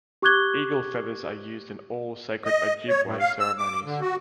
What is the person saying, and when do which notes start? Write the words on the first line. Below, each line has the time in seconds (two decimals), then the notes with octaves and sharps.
Eagle feathers are used in all sacred Ojibwe ceremonies.
0.22 G4 C#6 D6 F#6 G#6 G7
2.45 D#5
2.88 C#5
3.04 A2
3.19 F5
3.39 E6
3.58 D6
3.84 D3
4.01 F#4